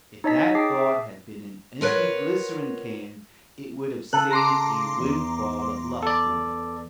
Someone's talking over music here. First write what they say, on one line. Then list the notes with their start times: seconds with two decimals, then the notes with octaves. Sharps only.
If that thought had been an empty glycerin-can, it would have saved a windfall of luck for me.
0.24 D#4 C#5 D#5 A5 B6
0.55 G#4 G5 A5 D6 C7
0.78 E5
1.81 F4 A#4 B4 C#5 F#5
4.13 C#3 A4 F#6
4.31 A#5 C6 D6
5.00 E2
6.03 A4 D5